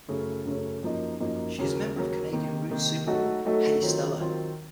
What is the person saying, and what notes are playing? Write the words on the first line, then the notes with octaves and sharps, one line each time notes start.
She is a member of Canadian roots super group Hey Stella!
F#2 C#3 A3 C#4
F#2 C#3 A3 C#4
F#2 F3 A#3 D#4
F#2 F3 A#3 D#4
D#2 C#3 F#3 A#3
D#2 C#3 F#3 A#3
C3 D#3 A#3
C3 D#3 A#3
F#3 A3 D#4 F#4 A4
F#3 A3 D#4 F#4 A4
D#3 F#3 C4 F4
D#3 F#3 C4 F4